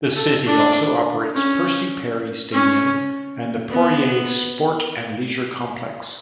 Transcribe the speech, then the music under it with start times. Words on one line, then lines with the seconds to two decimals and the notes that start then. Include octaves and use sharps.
The city also operates Percy Perry Stadium and the Poirier Sport and Leisure Complex.
0.16 A4
0.46 D4
1.34 C#4
2.52 C#4
3.70 B3